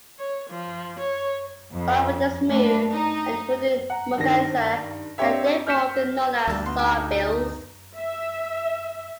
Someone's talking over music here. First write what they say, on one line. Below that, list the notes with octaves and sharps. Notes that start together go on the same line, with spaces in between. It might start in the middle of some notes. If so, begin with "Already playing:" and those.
Along with the smew and hooded merganser, they are therefore often known as "sawbills".
C#5
F3
C#5
F2
A3 D4 B4
D#4
F#5 A#5
G2 D#3 A#6
C4 D4 G4 C#5 E5
F6 G6 B6 C#7 E7
D2 G3 E5 A5
B3 D#4 C6
D#4 G4 A4
E5